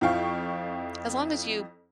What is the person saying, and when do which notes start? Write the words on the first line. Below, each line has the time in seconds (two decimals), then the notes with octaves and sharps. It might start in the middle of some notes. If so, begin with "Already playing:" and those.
as long as you
0.01 F2 F3 E4 F5 G5 C#6